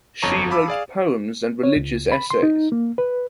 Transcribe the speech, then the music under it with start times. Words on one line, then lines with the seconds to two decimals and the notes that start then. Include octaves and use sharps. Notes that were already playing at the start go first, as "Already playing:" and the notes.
She wrote poems and religious essays.
0.22 G1 F2 C#5 A5 A#5 C#6
0.50 F5 A5 B5 D6 E6
0.68 G#4 D5 F5
1.63 C#5
1.76 C#2
2.12 B5
2.30 C6
2.43 D#4
2.72 A#3
2.98 B4